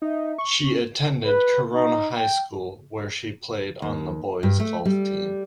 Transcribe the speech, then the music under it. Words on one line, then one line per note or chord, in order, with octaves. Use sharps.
She attended Corona High School where she played on the boys' golf team.
D#4 E5
C#6
C#4
B4
D#4
G5
D#2
G2
A3
G3